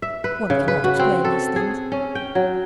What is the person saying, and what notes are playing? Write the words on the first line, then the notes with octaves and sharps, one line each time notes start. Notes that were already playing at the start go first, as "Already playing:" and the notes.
One cannot explain these things.
E5
B4
C#3
B4
F#4
C4
A4
G#4
C#4
G5
F#3